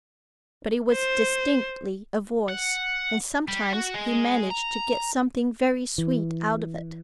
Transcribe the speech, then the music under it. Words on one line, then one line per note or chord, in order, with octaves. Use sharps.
But it was distinctly a voice, and sometimes he managed to get something very sweet out of it.
C5
F#5
G3
F#4
G#3
A#5
E3